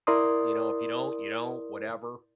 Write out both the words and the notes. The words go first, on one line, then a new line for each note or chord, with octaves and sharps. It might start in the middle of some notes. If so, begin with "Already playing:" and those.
you know, "If you don't, you don't, whatever."
E4 A#4 D5 C6 D#6